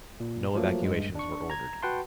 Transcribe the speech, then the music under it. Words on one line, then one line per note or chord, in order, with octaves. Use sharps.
No evacuations were ordered.
A#2
F3 F#3 A3 A#3
G2 G#3
D4 C#6
A#5 G#6
F#4 B4 F#5 G5 A5 C6